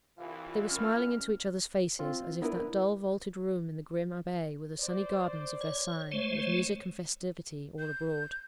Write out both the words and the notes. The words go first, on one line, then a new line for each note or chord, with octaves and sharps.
They were smiling into each other's faces, as if that dull, vaulted room in the grim Abbaye were the sunny gardens of Versailles, with music and festivity all abroad.
C2 E3 F4 F5
C#4 A#4 F6
C4 F4
B3 D4 E4 A#4 B4
C5 D5
C#5
G#3 A3 C5 C#5
G6